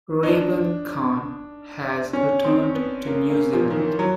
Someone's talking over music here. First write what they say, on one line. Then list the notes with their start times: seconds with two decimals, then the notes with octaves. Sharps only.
Raybon Kan has returned to New Zealand.
0.23 D#4
0.28 D4
2.13 C#4
2.44 C4
2.75 B3
3.07 A#3
3.30 A#3
3.53 F3
3.70 D#3
3.76 E3
3.99 F#3